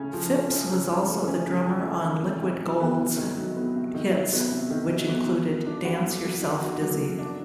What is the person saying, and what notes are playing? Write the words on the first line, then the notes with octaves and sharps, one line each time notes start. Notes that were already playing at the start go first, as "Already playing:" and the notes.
Phipps was also the drummer on Liquid Gold's hits which included "Dance Yourself Dizzy".
Already playing: C#3 A3 C#4
F3
A3
C#4
C#3
F3
A3
C#4
C#3
F3
A3
C#4
C3
D#3
F#3
B3
C3
D#3
F#3
B3
C3
D#3
F#3
B3
C3
D#3
F#3
B3
F#3
A#3
D4
F#4
F#3
A#3
D4
F#4
F#3
A#3
D4